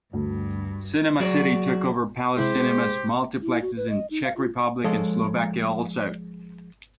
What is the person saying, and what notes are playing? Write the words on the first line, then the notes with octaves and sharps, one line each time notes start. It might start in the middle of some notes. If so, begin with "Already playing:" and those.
Cinema City took over Palace Cinemas' multiplexes in Czech Republic and Slovakia also.
D2 G2
F#3 F#4 G#4 D5
C3 G#3 E4 G4 C5 C6
E4
F#4
B4
D#5
D#4
F5
F4
F3 G#3 A4 C#5 D#5